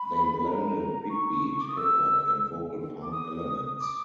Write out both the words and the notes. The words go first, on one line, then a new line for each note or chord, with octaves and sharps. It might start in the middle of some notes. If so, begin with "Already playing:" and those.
They blended big-beat, hip hop, and vocal punk elements.
Already playing: B5
B5
A#5
C#6
C#6
D6
D#6
E6
D6
D#6
D6